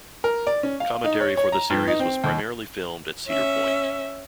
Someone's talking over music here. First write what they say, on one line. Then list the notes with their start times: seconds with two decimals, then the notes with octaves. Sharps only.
Commentary for the series was primarily filmed at Cedar Point.
0.24 A#4
0.47 D5
0.63 C#4
0.80 F5
1.04 D#4
1.20 C#5
1.37 C#5
1.52 A#5
1.70 G2
1.87 D#4
2.00 C4
2.24 D#2
3.28 C#4 E5